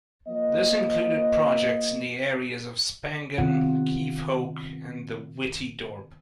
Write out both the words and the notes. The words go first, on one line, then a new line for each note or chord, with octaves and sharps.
This included projects in the areas of Spangen, Kiefhoek and the Witte Dorp.
F3 A#3 D#5
C3 D#3 B3 F4 F#5